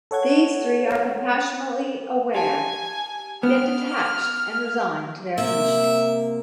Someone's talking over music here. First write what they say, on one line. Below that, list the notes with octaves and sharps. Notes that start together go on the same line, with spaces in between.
These three are compassionately aware, yet detached and resigned to their condition.
A4 C#5 F#5 G#6
G4 G#5 A5
B3 F6
C3 A#3 E5